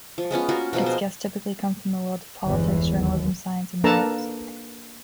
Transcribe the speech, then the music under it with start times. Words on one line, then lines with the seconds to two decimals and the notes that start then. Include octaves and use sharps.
Its guests typically come from the worlds of politics, journalism, science and the arts.
0.18 F3
0.31 G#3 B3 C#4 F4
0.49 A#3 F4 F#4
0.73 B2 F3 G#3 A#3
0.86 C5
2.45 G1 E2 E3 G#3
2.95 D#2
3.84 A#3 D4 A4 B4 A5 A#5